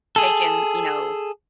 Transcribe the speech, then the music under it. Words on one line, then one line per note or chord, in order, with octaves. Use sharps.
taken, you know,
G#4 A4